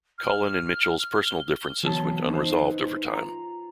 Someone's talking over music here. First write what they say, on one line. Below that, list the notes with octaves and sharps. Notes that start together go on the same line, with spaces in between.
Cullen and Mitchell's personal differences went unresolved over time.
F6
F6
G7
E3 F#3 B3 D4 C#5 A5
D#4 B4 C5
F4 A#5